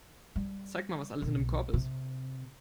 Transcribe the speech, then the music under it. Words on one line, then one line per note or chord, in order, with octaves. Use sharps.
Zeig mal, was alles in dem Korb ist.
G3
B1
C3